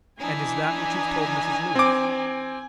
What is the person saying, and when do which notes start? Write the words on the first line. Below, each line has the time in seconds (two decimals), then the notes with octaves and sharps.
"And is THAT what you've told Mrs. Leath?"
0.19 E3 D4 D#4 G#5
1.75 C4 D6